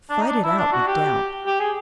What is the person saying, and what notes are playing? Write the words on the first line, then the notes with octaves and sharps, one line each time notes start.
Fight it out with doubt.
D4
D#4
D4
E4
D4
F#4
G4
G4
G#4